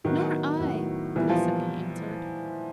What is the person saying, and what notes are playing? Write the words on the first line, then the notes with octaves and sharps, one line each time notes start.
"Nor I," the second answered.
A2 D#3 F#3 B3
A2 F#3 B3
A#2 E3 G3 B3
F3